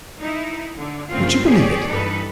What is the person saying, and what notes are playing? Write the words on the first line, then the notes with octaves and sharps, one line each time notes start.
Would you believe it?
D#4 E4
D3
G2 A#2 C#3 A3 C4 F4
G4 G#4 C#5 D5
G2 E3 D#4 A4 B4